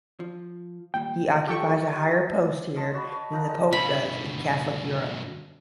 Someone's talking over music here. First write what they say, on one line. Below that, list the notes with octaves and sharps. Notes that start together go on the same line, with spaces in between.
He occupies a higher post here than the Pope does in Catholic Europe.
F3
D#2 A#2 G3 G5
F4 G4 A4 G5 C#6
F4 D#5 A5
F#4 C#5 B5
C#5
F3 D#4 A#4 F#5
G#3 D#5
G2 B2 B5